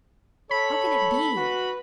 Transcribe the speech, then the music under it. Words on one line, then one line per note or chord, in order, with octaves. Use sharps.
How can it be?
A4 C#5 B5
F#4 B4